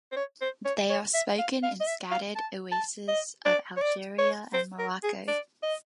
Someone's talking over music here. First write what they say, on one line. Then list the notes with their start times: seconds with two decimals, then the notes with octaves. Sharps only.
They are spoken in scattered oases of Algeria and Morocco.
0.12 C5
0.16 C#5
0.41 C5
0.65 C#5
0.90 C#5
1.14 E5
1.39 F5
1.63 F5
1.80 D#5
1.87 E5
2.11 F5
2.35 A5
2.71 A5
3.08 D#5
3.45 D5
3.77 C#5
3.82 D5
4.18 C#5
4.53 C5
4.79 A#4
5.03 G#4
5.28 D5
5.63 D#5